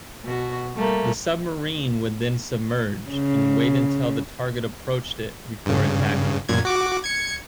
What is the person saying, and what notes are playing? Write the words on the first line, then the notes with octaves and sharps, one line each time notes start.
The submarine would then submerge and wait until the target approached it before attacking.
B2 F#4
G3 A3 A#3
C#3
G2 C#3
F#2 A#2 G#6
F#4 D6
G#6 C#7